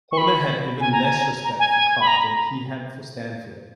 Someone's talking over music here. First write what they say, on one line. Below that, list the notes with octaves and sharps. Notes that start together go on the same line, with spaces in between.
Horner had even less respect for Clark than he had for Stanfield.
C#6
B5
G#5
A#5
G#5
A#5
G#5
G#5
B5
A#5